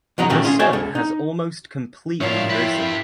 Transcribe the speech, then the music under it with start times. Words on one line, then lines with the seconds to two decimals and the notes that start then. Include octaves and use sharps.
The sun has almost completely risen.
0.18 E2 F#3 D#4 A#5
0.30 A#2 D#3 A3 C#4 F#4 G4
0.45 C#4 F4 G#4
0.59 F#4 C5 D5 E5 G#5
0.73 C#2 A4
0.95 D#4
2.21 A2 F3 F4 A#4 C#5 E5 F5
2.50 E4 G4 B4